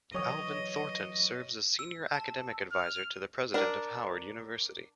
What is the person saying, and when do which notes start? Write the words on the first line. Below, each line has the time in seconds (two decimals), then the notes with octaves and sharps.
Alvin Thornton serves as Senior Academic Advisor to the President of Howard University.
0.14 E3 F#3 C#5 D#5 D#6
1.79 E6
2.14 A5
2.72 F6
3.54 D4 A#4